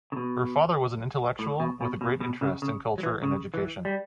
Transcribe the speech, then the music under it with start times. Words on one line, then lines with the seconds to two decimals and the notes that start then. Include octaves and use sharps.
Her father was an intellectual, with a great interest in culture and education.
0.12 C#3
0.17 B2
1.39 A2
1.60 B2
1.81 B2
2.01 B2
2.20 B2
2.41 C#3
2.62 C#3
2.98 F#3
3.03 E3
3.23 C#3
3.54 E3
3.85 G3